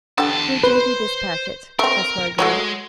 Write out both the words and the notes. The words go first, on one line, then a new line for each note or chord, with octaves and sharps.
"Who gave you this packet?" asked Marguerite.
E2 D3 G4 A5
B4 C5
A3 C4 A#4
G#3 A3 F#4 C#5